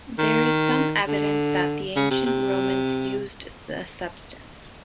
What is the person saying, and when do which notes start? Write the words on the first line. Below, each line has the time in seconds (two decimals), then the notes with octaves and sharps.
There is some evidence that the ancient Romans used the substance.
0.18 D#3
1.07 D3
1.96 C#3
2.11 C3
2.26 C3